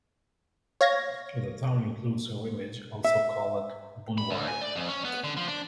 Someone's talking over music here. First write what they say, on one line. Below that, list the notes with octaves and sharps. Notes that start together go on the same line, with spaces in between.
The town includes a village, also called Boonville.
C#5 F5 G#6 A#6
E5
B5
D2
G#5
D5
F2
C#4
B3
D3
F3
D4